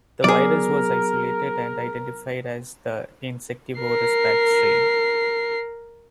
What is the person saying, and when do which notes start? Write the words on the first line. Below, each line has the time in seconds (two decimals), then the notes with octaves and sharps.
The virus was isolated and identified as the insectivorous bat strain.
0.24 F#3 B3 G#4 A#4 D5
3.80 A#4 C7